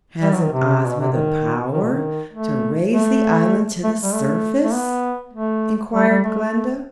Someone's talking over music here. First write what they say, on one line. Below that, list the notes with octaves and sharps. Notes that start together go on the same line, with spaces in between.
"Hasn't Ozma the power to raise the island to the surface?" inquired Glinda.
G3
F#3
D#3
C3
B2
C3
D#3
D#3
B2
D#3
A3
A3
A3
G3
A3
A3
B3
A3
G3
G3
A3